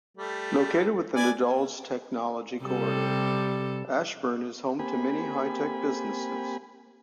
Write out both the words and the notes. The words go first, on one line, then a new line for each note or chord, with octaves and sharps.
Located within the Dulles Technology Corridor, Ashburn is home to many high-tech businesses.
G3 A3
B4 D5 G#5
C3 G3 A4
A#3 C4 G4 G#5 B5